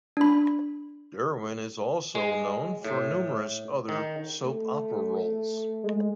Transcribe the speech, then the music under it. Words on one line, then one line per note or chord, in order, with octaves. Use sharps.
Derwin is also known for numerous other soap opera roles.
D4 B5
G#3
A2
D#3
A3
G#3